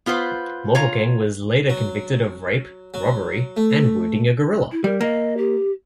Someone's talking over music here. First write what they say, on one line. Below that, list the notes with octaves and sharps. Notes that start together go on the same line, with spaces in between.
Mofokeng was later convicted of rape, robbery and wounding a gorilla.
B3 F4 B4 C5
F4 C#5 F5 A#5
F#3
F#3
A3
E4
G3 A#4
A#3 D#5
G4